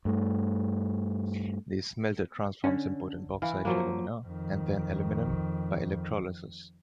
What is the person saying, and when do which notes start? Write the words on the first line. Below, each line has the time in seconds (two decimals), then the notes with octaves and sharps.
The smelter transforms imported bauxite to alumina, and then to aluminum, by electrolysis.
0.05 G2 A3
2.64 D3 C#4
3.42 E3 F5
3.65 F3 F#3 A#3
4.25 F2 D#3